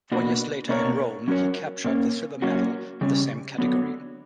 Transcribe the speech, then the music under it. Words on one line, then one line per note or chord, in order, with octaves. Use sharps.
Four years later in Rome he captured the silver medal in the same category.
B2 A#3 D4 F#4 B4
B2 A#3 D4 A#4 C#5
F#3 C#4 F#4 A#4 C#5
A#2 A#3 C#4
F#3 A#3 C#4 F#4
C#3 G3 C#4
D3 F#3 B3